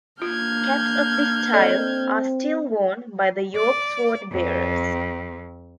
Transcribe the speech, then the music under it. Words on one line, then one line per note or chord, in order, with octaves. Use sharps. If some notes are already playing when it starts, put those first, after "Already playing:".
Caps of this style are still worn by the York Swordbearers.
A#3 D4 F4 F6 G6 G#6
C4 A4 D5 D#5
D5
F2